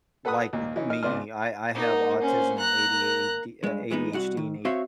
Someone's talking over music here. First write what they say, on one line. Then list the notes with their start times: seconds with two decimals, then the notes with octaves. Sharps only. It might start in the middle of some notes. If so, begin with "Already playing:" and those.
like m me, I I have autism and ADAD uh, ADHD and
0.25 A4 B4 F#5 B5 D#6 F#6
0.53 D#2 A#2
0.76 E3 C#4 D#4
0.90 D#4 F6
1.03 G#1 C#2 B3 D5 C6 F6
1.74 A#3 D4 D#4 F#4
2.22 C#4 C5
2.58 A#5 F#6
2.93 A#4
3.64 G2 G#3
3.90 E2 G#3 B3 D#4
4.13 C2 F#4 F#5
4.37 D#3
4.65 C4 F#4 C5 C#5 E5 F5